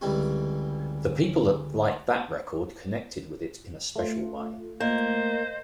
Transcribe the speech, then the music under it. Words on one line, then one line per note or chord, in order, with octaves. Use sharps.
The people that liked that record connected with it in a special way.
C#2 D3 E3 G3 C4 D#4
A3 F4
A#3 C5 D#5